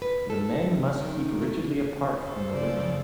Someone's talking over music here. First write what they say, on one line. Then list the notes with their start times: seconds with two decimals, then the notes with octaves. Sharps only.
The men must keep rigidly apart from the women.
0.02 B4
0.30 A4
1.01 D#3
1.42 A3
2.24 A4 C5
2.53 C#3 D5